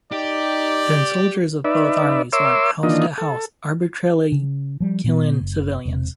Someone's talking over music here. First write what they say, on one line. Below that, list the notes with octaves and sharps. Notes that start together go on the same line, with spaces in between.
Then soldiers of both armies went house to house arbitrarily killing civilians.
D#4 G4 D5
D#4 B4 D5 E5
A#4 C#5 E5 C6 D6 E6
D#3 E3 A#3 D4 F4 D#5
A4
C#3
F3 G3
A#2 A3 B3
F#1
E1 C3